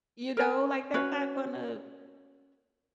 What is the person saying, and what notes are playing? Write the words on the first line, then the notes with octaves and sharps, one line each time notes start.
You know? Like, they're not gonna
A#4 G#5
C#4 F#4 B4 C#5